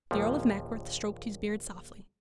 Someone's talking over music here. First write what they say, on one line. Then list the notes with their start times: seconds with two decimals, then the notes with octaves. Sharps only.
The Earl of Mackworth stroked his beard softly.
0.11 A#1 D#2 A#2 F3